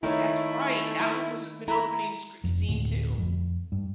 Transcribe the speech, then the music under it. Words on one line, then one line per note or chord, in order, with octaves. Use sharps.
That's right. That one was a good opening scr scene, too.
D#3 A3 D#4 E4 A4 C#5
E4 A#5 B5
F1 F2
G1 D2 A2
F2
G2